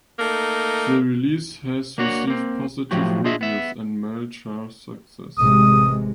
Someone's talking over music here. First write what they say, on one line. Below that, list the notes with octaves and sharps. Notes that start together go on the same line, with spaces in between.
The release has received positive reviews and mild chart success.
A3 A#3 D#4
A#3 D4 F#4 C#5
A#3 C4
A2 F3 F#3 F#4 G4
D4 F4 G#4 D#5 E5
B3 E5
A1 C3 G#3 D#6